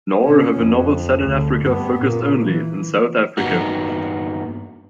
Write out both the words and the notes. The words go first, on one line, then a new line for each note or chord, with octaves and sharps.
Nor have her novels set in Africa focused only on South Africa.
B2 C#4
F2
D2
G2 B3
A#2
E3
G2 A#3 B3 D#4 F#4